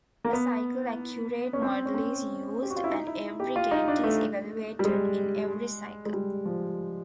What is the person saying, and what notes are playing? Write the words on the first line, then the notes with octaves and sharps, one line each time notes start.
A cycle-accurate model is used, and every gate is evaluated in every cycle.
A#3
B3
C#4
C4
C#4
C4
G4
F#4
F4
E4
D#4
E4
G4
F4
D#4
D4
A3
G3
G#3
G#3
G3
F3